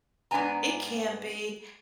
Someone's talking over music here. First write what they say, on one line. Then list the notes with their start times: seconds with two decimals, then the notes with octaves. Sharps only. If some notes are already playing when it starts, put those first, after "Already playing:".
It can be,
0.31 G#2 B3 D4 B4 G#5 A#5